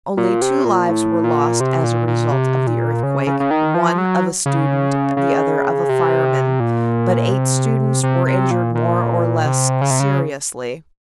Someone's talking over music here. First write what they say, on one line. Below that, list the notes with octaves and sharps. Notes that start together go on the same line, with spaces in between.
Only two lives were lost as a result of the earthquake, one of a student, the other of a fireman, but eight students were injured more or less seriously.
A#2
C3
A#2
A2
A#2
C3
A#2
A#2
C3
A#2
C#3
C#3
C#3
D#3
F3
F#3
C#3
C#3
C3
A#2
C3
C3
C3
A#2
A#2
C3
C#3
C3
C#3